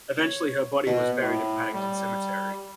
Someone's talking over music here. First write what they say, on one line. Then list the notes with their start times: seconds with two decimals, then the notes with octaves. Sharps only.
Eventually her body was buried in Paddington cemetery.
0.19 C#5
0.87 B2 B3 B4
1.19 A2
1.74 G3